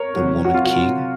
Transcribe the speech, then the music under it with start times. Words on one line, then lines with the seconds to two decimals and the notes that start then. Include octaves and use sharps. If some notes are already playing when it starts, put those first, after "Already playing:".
The Woman King?
Already playing: A#4 C#5
0.13 C3 F#3
0.44 C3 F#3 F#4
0.54 F4
0.65 F#4
0.74 C3 F#3